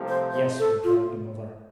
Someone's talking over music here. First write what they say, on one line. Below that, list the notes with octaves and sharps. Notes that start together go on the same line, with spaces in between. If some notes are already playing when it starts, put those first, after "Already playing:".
"Yes," replied the mother.
Already playing: C2 C3 F3 A3
C5
C5
A4
F4